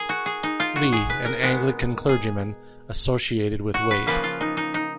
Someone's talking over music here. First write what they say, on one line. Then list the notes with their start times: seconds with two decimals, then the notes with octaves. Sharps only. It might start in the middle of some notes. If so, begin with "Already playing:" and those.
Lee, an Anglican clergyman, associated with Waite.
Already playing: G#4 A#4
0.09 F#4
0.26 G#4
0.43 D#4
0.60 F4
0.76 F#4
0.92 G#4
1.10 B4
1.25 A#4
1.43 B2 G#3 B3
2.09 G#4
3.74 F#4
3.91 B4
4.07 C#3 F3 A#3 B4
4.24 F4
4.41 D#4
4.57 D#4
4.74 D#4